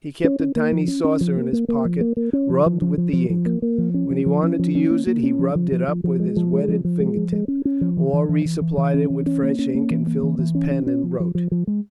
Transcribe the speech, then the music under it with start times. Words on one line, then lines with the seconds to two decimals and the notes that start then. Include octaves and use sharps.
He kept a tiny saucer in his pocket, rubbed with the ink; when he wanted to use it, he rubbed it up with his wetted finger-tip, or resupplied it with fresh ink, and filled his pen and wrote.
0.24 C#4
0.40 C#4
0.56 A#3
0.72 F3
0.88 C#4
1.04 C#4
1.21 F3
1.37 A#3
1.53 A#3
1.68 A#3
1.85 F3
2.01 A#3
2.17 A#3
2.33 C#4
2.49 F3
2.66 F3
2.82 F3
2.98 F3
3.13 F3
3.30 F3
3.46 A#3
3.62 A#3
3.78 F3
3.94 C#4
4.10 F3
4.26 F3
4.43 C#4
4.59 F3
4.75 C#4
4.90 A#3
5.07 A#3
5.23 C#4
5.39 F3
5.55 F3
5.72 F3
5.88 F3
6.04 F3
6.20 G#3
6.37 F3
6.53 G#3
6.68 F3
6.85 F3
7.00 G#3
7.17 F3
7.32 G#3
7.48 C#4
7.65 C#4
7.81 F3
7.97 E3
8.13 E3
8.29 E3
8.45 E3
8.61 E3
8.78 E3
8.94 C#4
9.10 E3
9.26 C#4
9.43 A#3
9.59 C#4
9.75 A#3
9.90 E3
10.07 A#3
10.23 E3
10.39 E3
10.55 C#4
10.71 C#4
10.87 C#4
11.03 F3
11.20 F3
11.35 F3
11.52 F3
11.67 G#3